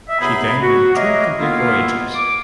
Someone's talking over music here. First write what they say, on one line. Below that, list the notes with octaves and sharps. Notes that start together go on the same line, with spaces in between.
She then made two complete voyages.
D#5 E5
C#2 C3 B3 D#4 G#4 B5
F#4
F#3 A3 G4 G#4 A#4 D#5
D#3 A#3 B3 E4 F4
D6